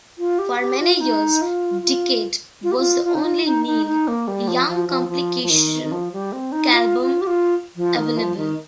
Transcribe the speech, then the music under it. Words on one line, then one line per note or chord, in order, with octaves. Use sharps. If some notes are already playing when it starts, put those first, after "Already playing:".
For many years, "Decade" was the only Neil Young compilation album available.
F4
G4
G4
F4
D#4
F4
F4
F4
G4
F4
F4
D#4
F4
D#4
D#4
D#4
A#3
G3
F3
F3
F3
F3
F3
D#3
D#3
F3
G3
C4
D#4
F4
F4
G4
F4
F3
D#3
F3
D#3